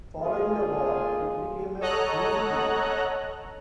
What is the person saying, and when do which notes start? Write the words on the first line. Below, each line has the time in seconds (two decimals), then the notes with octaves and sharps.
Following the war, it became a municipium.
0.18 D#3 G#3 A#3 F4 G#4 A4
1.80 A4 C#5 D#5 F#5 A#5 F#6